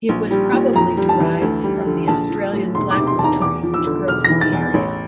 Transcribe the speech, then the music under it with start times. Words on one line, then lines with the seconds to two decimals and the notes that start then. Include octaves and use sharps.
It was probably derived from the Australian Blackwood tree which grows in the area.
0.09 A#1
0.31 G3
0.53 A#2
0.75 F2 A#5
0.97 G3
1.09 A5
1.20 E3
1.42 D2
1.64 G3
1.86 D3
2.08 A#1 A5
2.30 F3
2.53 A2
2.75 E1 C6
2.91 D6
2.97 C3
3.07 C6
3.18 E2 A5
3.24 A#5
3.41 E2 D6
3.63 F3
3.74 E6
3.86 D3
4.07 E1 F6
4.24 A#6
4.30 E3
4.41 A6
4.53 E2
4.74 A1